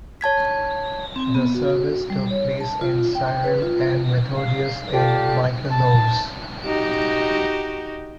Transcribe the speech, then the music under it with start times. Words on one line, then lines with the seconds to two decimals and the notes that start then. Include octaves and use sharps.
The service took place in Cyril and Methodius in Michalovce.
0.21 C#5 A5 G#6 B6
1.16 C4
1.35 B3
1.55 F#4
2.10 G3
2.31 C#5
2.61 A5
2.81 F4
3.15 G5
3.44 B4
3.62 F4
4.35 F5
4.92 F4 G4 A4 D5
5.70 A5
6.62 D#4 F#4 G4